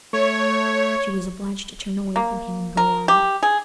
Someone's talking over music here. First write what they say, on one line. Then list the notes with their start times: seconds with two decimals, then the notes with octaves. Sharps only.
She was obliged to turn away from him and go on.
0.13 A3 C#5
2.16 A#3
2.77 A#4
3.08 G4
3.43 G#4